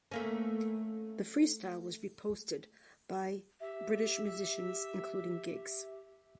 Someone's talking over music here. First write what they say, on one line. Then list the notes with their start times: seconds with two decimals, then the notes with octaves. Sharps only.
The freestyle was reposted by British musicians including Giggs.
0.11 A3 A#3 C#4
3.60 G4 E5